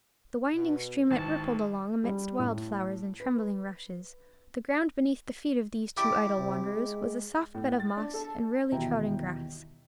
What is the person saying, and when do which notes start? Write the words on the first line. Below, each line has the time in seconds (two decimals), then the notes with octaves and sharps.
The winding streamlet rippled along amidst wild flowers and trembling rushes; the ground beneath the feet of these two idle wanderers was a soft bed of moss and rarely-trodden grass.
0.54 B2
1.11 G#1 E3 B4 A5
2.04 G3
2.39 A2
3.20 B4
5.97 E4 G4 D5
6.38 C3
6.73 G#3
7.54 A2
7.80 A6
7.97 D4
8.14 A4
8.72 D#1 B2 E3 E4 G5 A#5